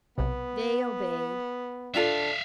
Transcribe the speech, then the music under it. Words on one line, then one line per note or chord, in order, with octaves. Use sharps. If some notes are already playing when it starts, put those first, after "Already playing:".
They obeyed.
B1 C3 B3
D4 F4 A4 E5 F5